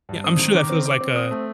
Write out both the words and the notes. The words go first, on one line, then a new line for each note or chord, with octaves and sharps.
Yeah, I'm sure that feels like, uh
G2
C4 D#6
D#3
D#3 D6
C4
C4 D6
C4
C4 D#6
A3